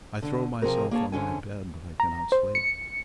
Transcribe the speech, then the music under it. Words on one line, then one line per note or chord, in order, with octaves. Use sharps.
I throw myself on my bed; but I cannot sleep.
D3
C3 F3 F#3 C4 G#4 A#4
A#3 G#4 C#5 A5
G#2 D3 C#4 G#5
A#5
C5
C#7